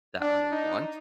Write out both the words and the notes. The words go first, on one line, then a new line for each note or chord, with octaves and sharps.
that I want
D4
D#4